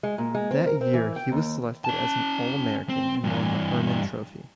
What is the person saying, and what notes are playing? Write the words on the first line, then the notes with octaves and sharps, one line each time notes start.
That year, he was selected as an All-American and won the Hermann Trophy.
G#3
A#2
G#3
C4
A#4
C4
E3
G5
D#2
C#4 A5
C4
G2 E3